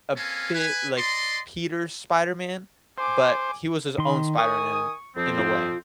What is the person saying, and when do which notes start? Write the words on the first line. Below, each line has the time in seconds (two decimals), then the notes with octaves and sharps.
a bit like Peter's Spider-Man, but he was his own Spider-Man in a way.
0.16 A#3 C4 C#4 A4 F5 G#5
0.53 B4 G#5
0.97 D5 D#5 A5 C6
2.98 C5 G#5 D6
3.98 D#3 C6
4.38 D#3 G#5 C#6 D#6
5.17 F2 F3 C4
5.39 F4